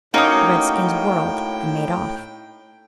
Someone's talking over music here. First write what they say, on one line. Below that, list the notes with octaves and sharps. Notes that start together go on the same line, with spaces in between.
The redskins whirled and made off.
A2 A#3 C#4 D#4 F#4 G5 D#6